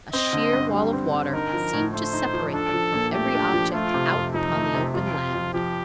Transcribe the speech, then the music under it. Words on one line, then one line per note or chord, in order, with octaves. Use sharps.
A sheer wall of water seemed to separate them from every object out upon the open land.
C4 D#5
D3
G2
G3
C4
D3
D#4 A#4
F3
A2
A3 C5
D#4
F3
D4 A4
F3
A#2
A3 G4
D4
F3
A3 F4
C3
F2
F3 D#4
A3
C3
F2 F4
C3
F2
F3 G4